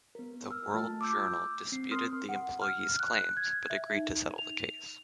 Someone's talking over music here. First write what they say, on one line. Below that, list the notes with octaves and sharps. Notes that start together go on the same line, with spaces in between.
The World Journal disputed the employee's claims, but agreed to settle the case.
B3 A#4
E6 F6
A3 F4 A5
D6 E6 G6
C4 C7
A#4 C6 D#6 F6
F#5
F6
F#6
G#6
E5
D#4
F7